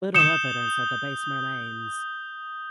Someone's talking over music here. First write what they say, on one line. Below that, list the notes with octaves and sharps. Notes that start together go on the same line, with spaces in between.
Little evidence of the base remains.
D#6 G6 C#7 E7 G7